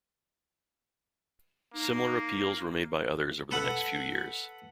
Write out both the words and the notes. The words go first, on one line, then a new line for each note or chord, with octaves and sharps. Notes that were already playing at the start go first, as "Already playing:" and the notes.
Similar appeals were made by others over the next few years.
A#3 D#4
A4 B4 F#5